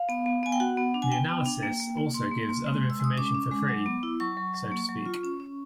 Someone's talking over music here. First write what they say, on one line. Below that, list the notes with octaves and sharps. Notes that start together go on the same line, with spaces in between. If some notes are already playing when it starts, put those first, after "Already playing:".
The analysis also gives other information for free, so to speak.
Already playing: F5
B3
B3
B3 G#5
G5
F#4 F#5
B3
D4
G#5
B3 G5
B3
D4
A#3
A#3
A#3
A#3 C6
A#3
A#3
G#3
G#3
E6
G#3 D#6
C#4 D6
C#4
G#3
F#3
B3
E4
F#3 C#6
F#3
F#3
A#3
F#3
F4
C#4
C#4